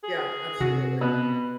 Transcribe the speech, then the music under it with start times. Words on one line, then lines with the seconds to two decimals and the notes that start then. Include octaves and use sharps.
Yeah, absolutely.
0.03 G#4
0.60 C3 F#4
1.01 B2 B4